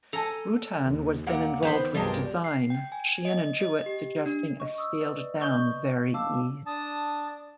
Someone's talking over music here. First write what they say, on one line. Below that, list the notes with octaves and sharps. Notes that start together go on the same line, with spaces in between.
Rutan was then involved with the design; Sheehan and Jewett suggesting a scaled-down Vari-Eze.
A4 G#5 A#5
D#2
A#2 A#3 F#5
D#3 B3 C5 B5
C2 G2 B2 F3 G3 G#3 A#4
C7
G5
G#5
D#5
D#5
G4
D4
D#5 C#6
D#6 E6
B4 D5
D#5 C#6 D#6 G6 G7
F5 A5 D6 E6
D4 A5 D#6